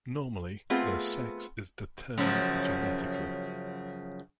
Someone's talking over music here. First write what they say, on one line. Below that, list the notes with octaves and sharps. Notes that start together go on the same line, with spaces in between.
Normally their sex is determined genetically.
A3 B3 C4 F4 G#4
F#2 C#3 F3